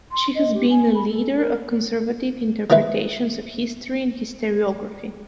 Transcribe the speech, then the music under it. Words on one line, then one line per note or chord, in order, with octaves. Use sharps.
She has been a leader of conservative interpretations of history and historiography.
C6
D#5
G4
G#5
B5
A4
A#4
D#3 E3 A#3 C4 E4 B4